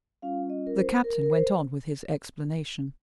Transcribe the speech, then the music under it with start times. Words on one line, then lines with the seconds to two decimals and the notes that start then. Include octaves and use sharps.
The Captain went on with his explanation.
0.22 G3 C#4 F4 F5
0.50 D#5
0.67 A#4
0.77 C5
1.04 A#4
1.23 A#4
1.31 C5